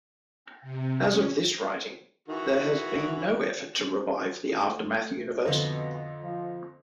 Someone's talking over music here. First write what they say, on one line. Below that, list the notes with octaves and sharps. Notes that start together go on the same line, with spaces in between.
As of this writing, there has been no effort to revive the Aftermath Universe.
C3
C#4
D#3 E3 F#4
A3
F2 B2 D3 D#5
F3